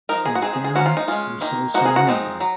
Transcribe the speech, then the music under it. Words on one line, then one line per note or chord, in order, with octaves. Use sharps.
A dam was also nearby.
F3 A#3 D#4 A#4
G#4
F#4
G#3 C4 D#4 G#4
G#4
G#4
F3 A#3 C#4 F#4
F4
D#4
G#3 C#4 F4
D#3 A#3 D#4
F3 A#3 D#4 F#4
G#4
F#4
F3 G#3 C4 D#4
F#3